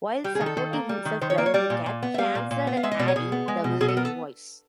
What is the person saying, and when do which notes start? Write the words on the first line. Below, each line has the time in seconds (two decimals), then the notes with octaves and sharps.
While supporting himself driving a cab, he answered an ad in "The Village Voice".
0.24 G3 G4
0.35 G#4
0.41 D#3
0.46 A4
0.57 D#3
0.73 A#3
0.89 G3
1.05 D#3
1.21 D#3 C5
1.30 C#5
1.38 A#3 D5
1.46 C#5
1.54 G3 D5
1.70 A#2
1.86 A#2
2.03 B3
2.14 E5
2.18 G3 F5
2.35 A#2
2.51 A#2
2.67 B3
2.77 F5
2.83 G#3 E5
2.91 D#5
2.99 B2 D5
3.08 C#5
3.16 B2 G#4
3.32 B3
3.48 G#3
3.64 B2
3.81 B2 G#4
3.88 A4
3.97 B3 A#4
4.05 A4